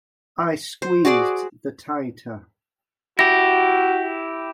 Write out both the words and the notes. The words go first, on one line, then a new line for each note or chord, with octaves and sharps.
I squeezed the tighter.
C5
F#4 G#4 D5 C6
E4 F#4 G4 A#6